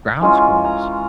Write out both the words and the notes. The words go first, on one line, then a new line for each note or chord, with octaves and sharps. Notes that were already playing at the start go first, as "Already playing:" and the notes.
Ground squirrels?
E3 G#3 C#4 F4
A#5